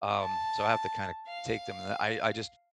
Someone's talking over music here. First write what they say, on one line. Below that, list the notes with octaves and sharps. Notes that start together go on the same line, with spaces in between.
um, so, I have to, kinda take them, and then I I just
A5
F5